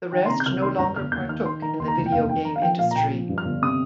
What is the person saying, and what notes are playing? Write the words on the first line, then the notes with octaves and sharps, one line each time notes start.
The rest no longer partook in the video game industry.
D#3 G5
C6
C3 A#5
G6
C2 F6
D#3 C6
G2 A#5
G1 F6
D#2 G6
D#3 F6
D#3 C6
D#3 A#5
D#2 C6
A#5
F1
G5
D#2 F5
D#3 G5
D#3 A#5
F5
F3 G5
A#2 F5
A#5
A#1 G5
F3
G2
F6
G1
C3 D#6